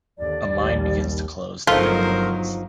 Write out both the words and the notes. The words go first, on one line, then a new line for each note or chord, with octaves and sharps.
A mine begins to close the day it opens.
D#2 D3 D5
A#1 D#2 G3
G1 F3 F#3 A3 D#4 F4 A#4 C5